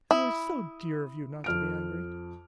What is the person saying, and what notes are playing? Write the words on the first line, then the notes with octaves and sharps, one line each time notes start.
It was so dear of you not to be angry!
E4 D#6
F2 F6 D7